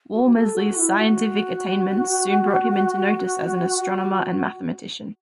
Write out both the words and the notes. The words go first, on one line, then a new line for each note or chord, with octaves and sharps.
Walmesley's scientific attainments soon brought him into notice as an astronomer and mathematician.
F#4
A4
F#4
E4
F#4